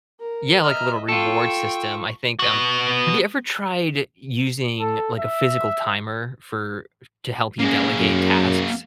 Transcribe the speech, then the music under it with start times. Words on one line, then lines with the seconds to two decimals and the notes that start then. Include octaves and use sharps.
Yeah, like a little reward system, I think, um have you ever tried using, like, a physical timer for to help you delegate tasks?
0.20 A#4
0.63 D#5 E5 A#5 F6
1.08 F4 A4 G5 C#6
2.39 B3 F#4
4.80 A4
5.18 E5
7.59 A#3 C#4 G#4
8.00 F#2